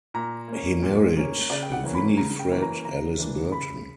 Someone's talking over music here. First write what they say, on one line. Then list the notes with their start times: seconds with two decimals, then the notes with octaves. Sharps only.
He married Winifred Alice Burton.
0.14 A#2 A#5
0.48 A#3 C#4
0.82 A#2
1.16 A#3 C#4
1.50 C#3 D5
1.63 G5
1.72 F#5
1.83 E3 A#3 C#4
1.95 B5
2.17 C#3 A#5
2.39 G5
2.51 E3 A#3 C#4
2.62 A#5
2.85 C#3 A#5
3.19 E3 A#3 D4
3.52 C#3 B5